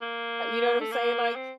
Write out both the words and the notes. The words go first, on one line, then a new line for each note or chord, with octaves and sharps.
you know what I'm saying, like,
A#3
A3
A#3
C4